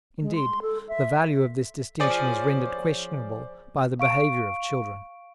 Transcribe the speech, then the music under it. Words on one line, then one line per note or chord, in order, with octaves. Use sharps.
Indeed, the value of this distinction is rendered questionable by the behavior of children.
G#3
C6
A4
E5
F3 C#4 G#4 C5 D5
F5 C#6 D7